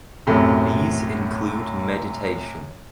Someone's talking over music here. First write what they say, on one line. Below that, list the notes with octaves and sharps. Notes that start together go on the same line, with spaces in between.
These include mediation.
B1 F#2 A2 C3